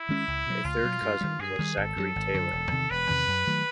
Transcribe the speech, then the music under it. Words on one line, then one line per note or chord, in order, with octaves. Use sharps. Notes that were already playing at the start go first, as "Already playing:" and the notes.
A third cousin was Zachary Taylor.
Already playing: E4
D#3 G#3 C#4
C#2
B2 F#3
C#2 F4
B2 F#3
G2
D#3 G3
G2 G#4
D#3 G3
G#1 A4
F#2 D3 F#3
G#1
F#2 D3 F#3
E1
E2 C3 D#3
E1 B4
E2 C3 D#3
F#2
D#3 F#3 A3